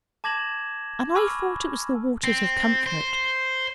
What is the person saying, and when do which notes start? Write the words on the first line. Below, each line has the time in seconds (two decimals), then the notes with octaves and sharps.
And I thought it was the waters of comfort.
0.24 A5 D6 G#6 A#6 E7 F#7
1.15 G#5 B5 C#6 D6 E6 F6
2.24 C4
2.86 C5